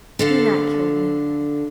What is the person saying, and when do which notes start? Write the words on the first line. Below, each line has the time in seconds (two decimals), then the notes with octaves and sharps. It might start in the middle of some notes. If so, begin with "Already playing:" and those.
Do not kill me.
0.19 D3 A4 F5